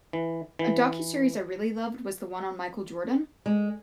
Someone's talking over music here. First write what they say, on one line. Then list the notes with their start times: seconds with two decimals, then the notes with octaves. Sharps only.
A docuseries I really loved was the one on Michael Jordan
0.13 E3
0.59 E3
3.46 G#3